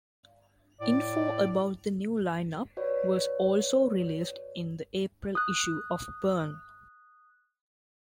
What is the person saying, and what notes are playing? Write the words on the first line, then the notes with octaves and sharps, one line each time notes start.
Info about the new lineup was also released in the April issue of Burrn!
A2 D5
F#4 B4 C#5 D5
D#6 F#6